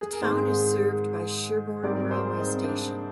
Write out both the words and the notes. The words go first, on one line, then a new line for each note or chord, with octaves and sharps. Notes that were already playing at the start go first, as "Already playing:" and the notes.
The town is served by Sherborne railway station.
G#4
A#4
G#2 D#3 G#3 C4 G#4 C5
G#2 G3 C4 A#4 D5
A#4
G#4 C5
C4 D#4
D4